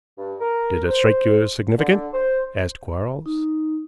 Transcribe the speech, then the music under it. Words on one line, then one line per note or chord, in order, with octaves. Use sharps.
"Did that strike you as significant?" asked Quarles.
G2
A#4
C5
D3
C5
D#4